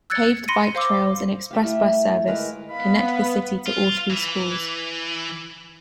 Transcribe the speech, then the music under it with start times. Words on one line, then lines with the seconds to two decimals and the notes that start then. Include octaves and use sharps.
Paved bike trails and express bus service connect the city to all three schools.
0.10 E6 F#6 G#6 A6 C#7
0.48 B5 C6 A#6 C#7 D#7
0.75 C5 F5 C6 D6 E6
1.51 A3 G4 F5
1.64 E4
2.06 C#5
2.27 G#3 A#4 B4 F5
2.71 B3 F5 B5
3.66 F4
4.10 E3